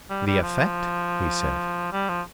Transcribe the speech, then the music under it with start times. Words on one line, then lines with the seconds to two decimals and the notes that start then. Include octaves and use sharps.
"The effect?" he said.
0.10 G3
0.27 G3
0.43 F3
1.92 G3
2.09 F3